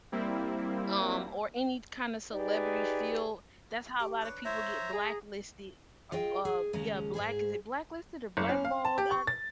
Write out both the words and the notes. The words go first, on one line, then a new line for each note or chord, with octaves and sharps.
um, or any kinda celebrity field, that's how a lotta people get blacklisted, or, uh, yeah, black, is it blacklisted or blackballed, are
G3 A#3 C4 E4
D#4 G4 G#4 B4 D5
G4
D4 B4 C#5
E4 C5 C#5 E5 A#5
G#4
F4 G#4 D#5 G5
G#4
D#2 C#3 G#3 C#4 A#5
G#2 B2 G#4 C5
F#1
C#4
F5
A5
G4
C#6
A6